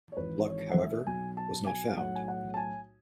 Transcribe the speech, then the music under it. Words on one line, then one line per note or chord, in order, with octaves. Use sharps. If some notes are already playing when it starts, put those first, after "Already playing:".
Luck, however, was not found.
C#5
G#1 G#2 E3 B4
C#5
F#5
E5
B1 B2 F#3 G#5
A5
G#5
B1 A2 F#3 F#5
G#5
F#5
A5
G#5